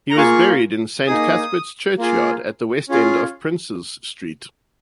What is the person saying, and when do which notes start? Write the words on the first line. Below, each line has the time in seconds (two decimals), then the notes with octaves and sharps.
He was buried in Saint Cuthbert's Churchyard at the west end of Princes Street.
0.10 A#5
0.17 A#3 F4 G#4 C#6
1.07 A#3 D#4 G#4 D#6
1.98 A#3 F4 G#4
2.89 C#4 F4 G#4